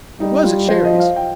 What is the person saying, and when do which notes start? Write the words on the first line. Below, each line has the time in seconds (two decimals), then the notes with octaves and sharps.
It was at Sherry’s.
0.20 G3 D#4
0.44 F4
0.68 F3 C5
0.84 D#5
1.00 F5
1.16 G5